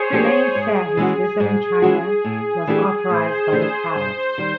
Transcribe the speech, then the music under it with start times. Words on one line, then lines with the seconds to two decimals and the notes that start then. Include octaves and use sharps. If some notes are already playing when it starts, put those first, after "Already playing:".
Trillanes said his visit in China was authorized by the Palace.
Already playing: G#4 C5 C#5
0.12 F3 A3 D4 G4
0.55 G#2
0.97 E3 G#3 C#4 F#4
1.40 G#2
1.82 E3 G#3 C#4 F#4
2.25 A2
2.67 E3 A3 D4 G4
3.10 A2 C5
3.52 E3 A3 D4 G4
3.95 G2 C5
4.38 D#3 G3